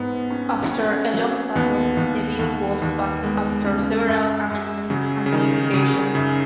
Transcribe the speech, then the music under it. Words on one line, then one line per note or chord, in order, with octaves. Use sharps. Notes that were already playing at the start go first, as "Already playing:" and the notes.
After a long battle, the bill was passed after several amendments and modifications.
Already playing: G#2 B3
C#4
C#4
F#3
D#2 B3
D#2
D#2
D#2
G#3 B3
C#3
F#2
F#2
C#3 F#3
C#3
D#3 D#4
C#3 F#3
C#3
F#2 C#3